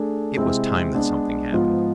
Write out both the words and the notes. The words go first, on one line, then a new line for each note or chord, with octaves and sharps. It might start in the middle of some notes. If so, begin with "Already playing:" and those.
It was time that something happened.
Already playing: A3 D4 G#4
C3 G#3 C4 E4 G#4
G#3 B3 D4
G#2 F3 B3 F4